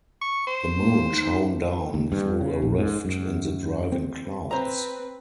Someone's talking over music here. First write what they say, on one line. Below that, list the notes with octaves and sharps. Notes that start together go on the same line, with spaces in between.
The moon shone down through a rift in the driving clouds.
C#6
C5
A#3
D#4
D#2
G2
C#3
A#1
G#2
F#2
C4
C4 B4 C5 A#5